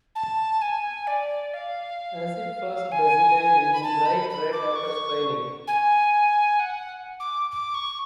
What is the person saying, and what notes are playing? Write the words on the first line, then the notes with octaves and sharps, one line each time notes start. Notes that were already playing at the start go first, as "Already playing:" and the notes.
Acid-fast bacilli will be bright red after staining.
A5
G#5
D5
F5
G#5
B5
A5
B5
B5
D6
C#6
G#5
F#5
D6
D6
C#6